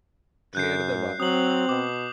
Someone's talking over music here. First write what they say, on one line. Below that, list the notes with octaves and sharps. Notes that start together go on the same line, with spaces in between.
Clear the Bar.
F#2 F#6 G6 C7
F#3 C4 D#6 F#7
B2 D6